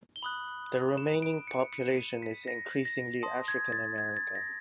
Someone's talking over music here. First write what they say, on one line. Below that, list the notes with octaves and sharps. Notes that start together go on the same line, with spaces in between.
The remaining population is increasingly African American.
G7
B5 D#6 F#6 F#7
E7
D7
C#7
C#7
E7
D#7
B6
A#6
A#6
A5 C6 D#6
G#6
A6
G#6
A6
A#6